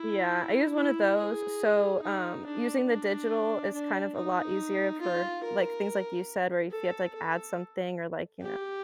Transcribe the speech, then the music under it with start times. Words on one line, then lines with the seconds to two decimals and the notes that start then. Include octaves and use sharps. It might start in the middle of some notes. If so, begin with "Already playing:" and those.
Yeah, I use one of those, so, um, using the digital is kind of a lot easier for, like, things like you said, where if you have to, like, add something or, like, you know,
Already playing: E4
0.75 E4
1.18 G#4
2.03 D#4
2.45 D4
2.88 D4
3.73 D4
4.16 D#4
5.01 F4
5.43 A#4
6.71 A4
7.14 A4
8.42 G4